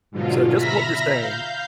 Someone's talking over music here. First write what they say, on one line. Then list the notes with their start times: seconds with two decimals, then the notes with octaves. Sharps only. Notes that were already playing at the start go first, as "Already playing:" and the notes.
So just what you're saying
0.11 G#2 B2 D3 F#3 F4
0.54 E5 A#5 B5 F6 A#6 B6
1.15 F5 G6